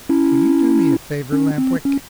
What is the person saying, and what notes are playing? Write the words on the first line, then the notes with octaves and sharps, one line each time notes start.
"Will you do me a favor, Lamp-Wick?"
C#4 E4
C#4
C4
C#4